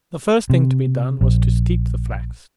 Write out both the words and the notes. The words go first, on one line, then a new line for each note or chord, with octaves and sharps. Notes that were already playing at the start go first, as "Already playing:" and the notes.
The first thing to be done was to steep the flax.
C3
A#1